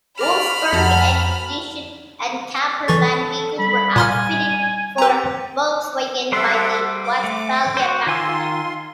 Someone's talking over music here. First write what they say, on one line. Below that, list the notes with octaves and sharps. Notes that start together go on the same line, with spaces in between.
Wolfsburg Edition and camper van vehicles were outfitted for Volkswagen by the Westfalia factory.
A#4 C5 D5 A5 B5 F6
F2 F#4 A4 A#4 A5 A#5
E3 A4 C#6 A6
G3 B5
A#2 G#5 C6 F6
C4 G4 B4 A#5
G3 A4 C5 E5 F#5 C6
D6
A3
F#4 C5
D#3 F4 G#5 C6 E6